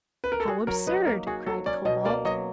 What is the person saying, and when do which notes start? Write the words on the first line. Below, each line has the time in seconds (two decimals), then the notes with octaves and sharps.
"How absurd!" cried Cobalt.
0.24 B4
0.32 A#4
0.40 A4
0.47 F#4 G#4
0.67 F#3 A#4
0.87 D#4 B4
1.06 A#3 A#4
1.27 F#4 G#4
1.46 F#3 A4
1.66 C#4 D5
1.85 B2 D#5
2.05 A#3 D5
2.25 F#3 D#5